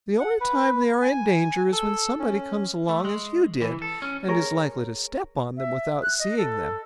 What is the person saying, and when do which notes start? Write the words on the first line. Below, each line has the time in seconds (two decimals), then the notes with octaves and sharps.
The only time they are in danger is when somebody comes along, as you did, and is likely to step on them without seeing them.
0.20 F#5
0.40 B4
1.02 G#5
1.72 A4
2.19 C#4
2.89 A3
3.05 G#3
3.62 E3
3.82 A4
4.02 C#4
4.28 G#4 A#4 C#5
5.57 E5
6.03 F#6
6.19 D#5
6.38 A4